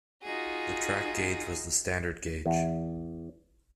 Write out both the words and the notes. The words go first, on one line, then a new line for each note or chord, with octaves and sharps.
The track gauge was the standard gauge.
D#4 F4 F#4 G#4
E2